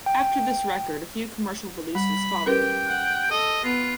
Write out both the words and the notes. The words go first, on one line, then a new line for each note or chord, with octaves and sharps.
After this record, a few commercial releases followed.
G5
G3 B5
C#4 G4 A#4 B4 G5
F#5
A4 D#5
B3 F4